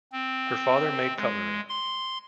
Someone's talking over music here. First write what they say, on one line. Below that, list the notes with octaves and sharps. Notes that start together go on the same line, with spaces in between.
Her father made cutlery.
C4
G#3
C6